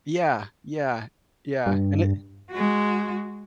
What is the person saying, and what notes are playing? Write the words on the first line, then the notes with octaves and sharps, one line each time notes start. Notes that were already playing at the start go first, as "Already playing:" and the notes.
yeah, yeah, yeah, and it
G2
G#3 F#4